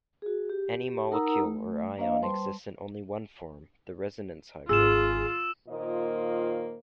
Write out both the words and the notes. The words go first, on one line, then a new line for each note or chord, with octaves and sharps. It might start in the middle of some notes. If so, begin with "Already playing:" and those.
Any molecule or ion exists in only one form - the resonance hybrid.
F#4 G#4
G4
D#4 A#4 F#5 A#5 D#6 E6
A3
A#3 D4 C5 D#5 F5
G3 B4 C5 A5 C6
G#1 F4 G#4 E6 E7
A#2 D#3 A#3 F4 C5 D#5